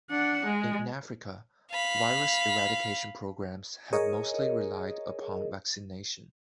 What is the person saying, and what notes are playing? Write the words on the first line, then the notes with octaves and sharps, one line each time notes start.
In Africa, virus eradication programs have mostly relied upon vaccination.
D4 F#5
G#3
F5 B5
G#4 A#4 C#5 D#5